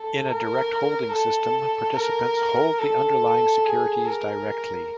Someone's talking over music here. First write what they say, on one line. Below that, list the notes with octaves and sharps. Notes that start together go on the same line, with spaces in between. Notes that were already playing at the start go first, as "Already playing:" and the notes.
In a direct holding system, participants hold the underlying securities directly.
Already playing: A4
A#4
A4
A#4
A4
G#4
A#4